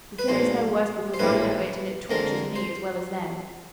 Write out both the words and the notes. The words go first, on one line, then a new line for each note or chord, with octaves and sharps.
The thing is no worse because I know it, and it tortures me as well as them.
B4
B1 A#2 F3 G#3 C5
C5
A#1 A2 F3 G#3 B4
F2 D3 F3 G#3 A#4
C5